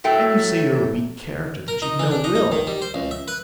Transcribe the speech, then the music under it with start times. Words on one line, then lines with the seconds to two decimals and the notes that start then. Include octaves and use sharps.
"And you say you're a weak character, that you've no will."
0.04 A2 F#3 A3 G5
1.68 A#4
1.82 D#4
1.99 E3
2.11 D4
2.24 D#4
2.35 D#4
2.52 D#3
2.67 G3
2.82 C5
2.94 C#2
3.11 E5
3.28 B4